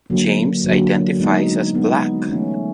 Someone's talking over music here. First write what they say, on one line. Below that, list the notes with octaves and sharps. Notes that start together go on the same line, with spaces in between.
James identifies as black.
D3 F#3 A#3
D3 F#3 A#3
G#3 B3 D#4
G#3 B3 D#4
E3 A3 C#4